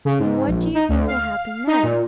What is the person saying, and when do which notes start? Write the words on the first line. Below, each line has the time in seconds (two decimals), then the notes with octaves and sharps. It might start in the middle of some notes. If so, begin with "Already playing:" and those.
And what do you think will happen then?
0.05 C#3
0.19 G#2
0.48 A#1
0.74 D#4
0.89 D2
1.07 F5
1.67 D#4
1.83 A#2